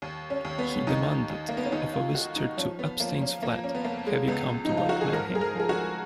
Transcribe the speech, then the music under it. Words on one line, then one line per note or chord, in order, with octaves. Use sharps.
He demanded of a visitor to Epstein's flat, Have you come to blackmail him?
D#2
C#4
D#2
B3
D#2 D#4
D#2
A#3
B3
C#4
D#2 D#4
F4
D#3 F#4
D#4
F3 C#4
B3
F3 A#3
C#4
F3 A#3
C#4
B3
F2 A#3
G#3
C#2 B3
D#4
F3
F4
F#4
G#4
G#2 A#4
G#4
A#4
F3 G#4
F#4